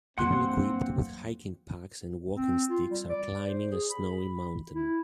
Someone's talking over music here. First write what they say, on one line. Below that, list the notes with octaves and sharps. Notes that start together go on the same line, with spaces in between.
People equipped with hiking packs and walking sticks are climbing a snowy mountain.
E2 G2 F#3 A#3 C4 F#5 C6 F#6
C4
F4
G3
D5
C5
G#4
B5
E4